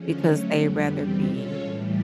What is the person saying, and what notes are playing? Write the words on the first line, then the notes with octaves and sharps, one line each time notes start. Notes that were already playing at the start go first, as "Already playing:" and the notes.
because they rather be,
Already playing: D3 F3 G#3 C#4
F#3 A3 C#4
F2 D3 G3 B3
E2 B2 G3 C4
G#3 C#4 F4 A4 C#5
A2 E3 G3